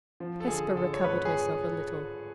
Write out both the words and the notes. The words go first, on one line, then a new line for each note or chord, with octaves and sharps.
Hesper recovered herself a little.
F3
A4
D3 G#4
D3 A4
C#5
G#1 B4
G#4